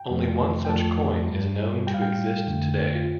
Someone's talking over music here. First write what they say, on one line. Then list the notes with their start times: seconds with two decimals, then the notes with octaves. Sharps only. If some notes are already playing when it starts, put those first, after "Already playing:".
Only one such coin is known to exist today.
Already playing: G5
0.10 F2 C3 F3 A3
0.65 G5
0.69 F2 F3 A3 A5
1.28 G2 G3
1.87 G3 G5
1.91 A2 F5
2.02 G5
2.46 F2 D3 A3
2.95 F4